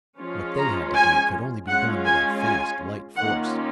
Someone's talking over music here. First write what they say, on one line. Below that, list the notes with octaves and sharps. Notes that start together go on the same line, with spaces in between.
What they had to do could only be done with a fast, light force.
F3 G#3 C#4 F4
A#5
G#5
G#3 C#4 F4 F#5
G#5
G#5
D#3 A#3 C#4 F4 F#5